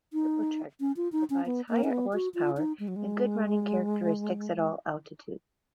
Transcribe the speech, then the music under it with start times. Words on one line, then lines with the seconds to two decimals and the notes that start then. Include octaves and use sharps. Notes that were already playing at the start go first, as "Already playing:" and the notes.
Turbocharging provides higher horsepower and good running characteristics at all altitudes.
0.13 D#4
0.80 C#4
0.97 F4
1.12 D#4
1.30 C#4
1.46 B3
1.69 A#3
1.84 C#4
1.91 B3
2.13 F#4
2.35 F4
2.57 D#4
2.80 G#3
2.88 F#3
2.96 G#3